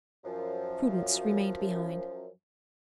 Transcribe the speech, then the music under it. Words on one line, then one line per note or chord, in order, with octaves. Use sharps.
Prudence remained behind.
F#2 F3